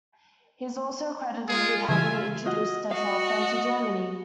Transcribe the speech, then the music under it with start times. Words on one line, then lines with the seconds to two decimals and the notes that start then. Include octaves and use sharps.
He is also credited with having introduced the telephone to Germany.
1.48 G#3 F4 G#4
1.89 C#3 E3 G3 F4 E5 G#5
2.46 F4 F#4 D#5
2.91 F#4 D#5 F5